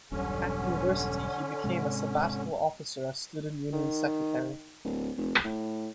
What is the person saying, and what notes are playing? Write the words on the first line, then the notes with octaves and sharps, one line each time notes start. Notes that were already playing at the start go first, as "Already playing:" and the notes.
At university he became a sabbatical officer as Student Union Secretary.
E1 B1 G2 D3 C#4
G#2 C3 G#3
D#3
D1
F1
A2